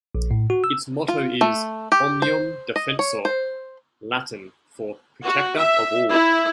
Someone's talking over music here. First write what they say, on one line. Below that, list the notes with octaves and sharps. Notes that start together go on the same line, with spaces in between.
Its motto is "Omnium Defensor", Latin for "Protector of All".
A#1
A2
F#4
E6
F4
A3
G4
C5
D#5
C#5
C5
F#4
E5
E4